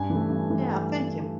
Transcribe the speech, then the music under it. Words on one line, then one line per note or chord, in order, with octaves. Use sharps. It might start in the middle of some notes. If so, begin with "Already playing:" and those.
Yeah, thank you.
Already playing: G2 G#5
E3
A3
G2
E3 A3